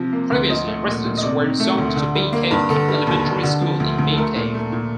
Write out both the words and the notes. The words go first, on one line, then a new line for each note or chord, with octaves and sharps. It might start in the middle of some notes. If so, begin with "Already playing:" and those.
Previously residents were zoned to Bee Cave Elementary School in Bee Cave.
Already playing: C3 F3
A#3
D2
F3 D#5
A3
A#2
A#2
D#5
C3 D5
D#3
A3
D2
D3
G3
A#3
G2
D3 A4
G3
D#2
D#2
D3
F3
D2
D2
A4
A3 A#4
A#2
A3
A#2